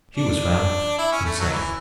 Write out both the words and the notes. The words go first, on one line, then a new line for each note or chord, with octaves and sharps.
She was found insane.
D4
E4
C#4
A3
F#3
E3